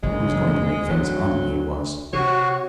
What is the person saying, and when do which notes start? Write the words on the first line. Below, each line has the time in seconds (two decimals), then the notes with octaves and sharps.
He was going to make things hum, he was.
0.03 F#1 D2 G#3
0.90 D2 F#3
2.13 C3 F#4 C#5